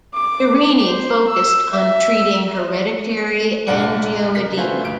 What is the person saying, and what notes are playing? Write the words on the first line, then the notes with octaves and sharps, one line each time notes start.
Jerini focused on treating hereditary angioedema.
D6
C5
E6
E5
F1 A#1 D5 F#5
C#3 A#4 B6
A3 F4 F#4 B4 C5 G#5
G1 D7